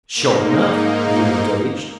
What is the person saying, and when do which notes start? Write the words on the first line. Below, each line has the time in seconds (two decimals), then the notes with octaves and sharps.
"Sure enough, you engaged?"
0.14 G#2 A#3 D#4